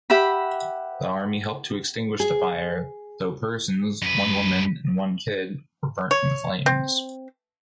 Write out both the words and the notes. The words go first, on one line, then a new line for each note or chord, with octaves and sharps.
The army helped to extinguish the fire: tho persons, one woman and one kid, were burnt from the flames.
G4 E5 F#5 B5
G#4
F#2 B4
C#5
C4